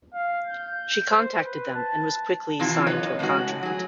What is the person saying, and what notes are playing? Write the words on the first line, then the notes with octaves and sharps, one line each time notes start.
She contacted them and was quickly signed to a contract.
F5
G6
C5
B4
A5
C3 E3 C4 E4 F4
F#2 B4 C#5 D#5
A2 C#3 E3 G#3 F#4
F#3 G#4